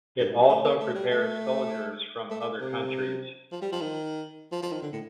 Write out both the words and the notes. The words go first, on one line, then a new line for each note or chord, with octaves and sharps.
It also prepares soldiers from other countries.
G2
A2
G3
A3
A#3
A3
G3
A3
A3
A3
C3
F3
G3
F3
D#3
F3
F3
D#3
D3
A2